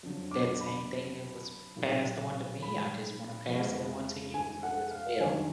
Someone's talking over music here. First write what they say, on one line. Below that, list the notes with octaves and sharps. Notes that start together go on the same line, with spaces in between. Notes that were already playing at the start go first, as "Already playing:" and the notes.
that same thing that was passed on to me, I just wanna pass it on to you too as well,
F2 D3 F#3
D6
B5
B1 A#2 F#3
B5
F1 F2 F3 G#3
G#5
F#5
F5
F1 D#2 D3 F#3 G#5